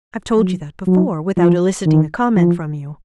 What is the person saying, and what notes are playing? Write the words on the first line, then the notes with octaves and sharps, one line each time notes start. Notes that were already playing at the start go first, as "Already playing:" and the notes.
I've told you that before, without eliciting a comment from you.
F#3
F#3
F3
D#3
F3